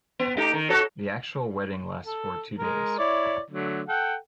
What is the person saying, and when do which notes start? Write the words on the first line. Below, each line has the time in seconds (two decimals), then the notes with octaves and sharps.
The actual wedding lasts for two days.
0.19 B3
0.37 A3 D#4 G4
0.54 D#3
0.70 F#4 A4 C#5
2.05 A4
2.58 G#3 A#4
2.99 E4 C#5 D5
3.50 D3 F#3 A3
3.88 A4 F#5 G5